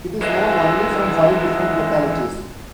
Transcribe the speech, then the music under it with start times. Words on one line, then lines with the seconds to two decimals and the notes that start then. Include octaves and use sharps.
It is known only from five different localities.
0.22 E3 G#3